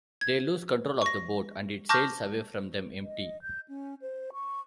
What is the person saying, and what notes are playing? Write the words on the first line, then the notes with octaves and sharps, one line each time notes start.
They lose control of the boat, and it sails away from them, empty.
G#6
C#6 A#6
A5 C#6 D6 F6 G6 A#6
D#5
G6
C#4
C5
C#6